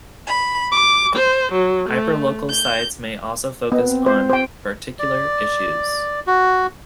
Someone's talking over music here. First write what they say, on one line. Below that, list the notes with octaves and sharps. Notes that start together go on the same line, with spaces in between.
Hyperlocal sites may also focus on particular issues.
B5
D6
C5
F#3
A3
G6
B3 D#5
C4
C5
C5 G5
D5
F#4